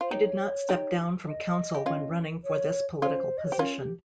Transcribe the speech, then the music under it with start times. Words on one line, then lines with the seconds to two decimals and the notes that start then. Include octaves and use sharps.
He did not step down from council when running for this political position.
0.01 F4 C5
0.11 D#4 G4 C#5
0.69 D#4 G4
1.27 D#5
1.75 G4
1.86 C#4 F4
2.44 C#5
3.02 C#4 F4 C5
3.37 D#5
3.44 C#5
3.52 G4 C5
3.59 C#4 F4 A#4
3.79 G4